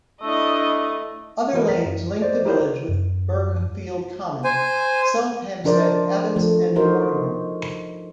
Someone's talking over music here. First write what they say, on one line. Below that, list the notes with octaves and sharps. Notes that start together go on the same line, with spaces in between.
Other lanes link the village with Burghfield Common, Sulhamstead Abbots and Mortimer.
A3 D4 E4 D#5
E3 F#4 A#4 B4 D#5
A#4 B6
F#2
C5 D5 D#5
D#4 E4 F#4 G4 A#4 C5
F#2
C5 G#5
F3 D4 A#4 C5 D5
F3 A3
D#4 F4 F#4 A#4 C5